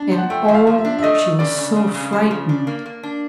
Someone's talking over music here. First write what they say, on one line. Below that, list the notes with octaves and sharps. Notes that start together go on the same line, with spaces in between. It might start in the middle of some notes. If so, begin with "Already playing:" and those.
And oh, she was so frightened!
Already playing: D4
F3
F#5
A3 G5
F3 E5
F5
F3
E5
D4
E5
A3 D#5
A3
C#3 D5
C#3
C#3
C#3
F3
C#3
D4
A#3
A#3
D4